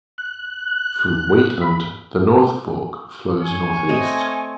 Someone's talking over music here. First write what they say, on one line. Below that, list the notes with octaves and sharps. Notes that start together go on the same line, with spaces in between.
From Wheatland the North Fork flows northeast.
F#6
B5
C#5 G#5
A3 C4 D#5